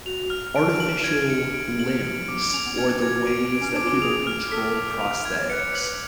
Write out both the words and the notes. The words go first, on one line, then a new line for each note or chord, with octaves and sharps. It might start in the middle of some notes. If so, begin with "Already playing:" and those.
Artificial limbs or the ways that people control prosthetics,
F#4 F7
F6
D7
F#7
D4 G#6
C#7
D7
F#7
D7
D6
C#4 F7
B3
C#4 G#6
F#4 G#6
D7
D7
C#4
D4
D6
F4
F#4
G#4 F7
F6
A4 B6
F7
F7
G#6
C#5
B4 C#7
F#7